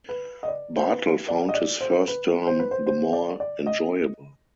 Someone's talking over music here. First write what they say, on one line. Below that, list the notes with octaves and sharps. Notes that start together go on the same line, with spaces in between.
Bartle found his first term the more enjoyable.
B4
D#5
D5
C5
B4
D5
D#5
D5
C5
B4
C5
B4
C5
C5
D5
D5
D#5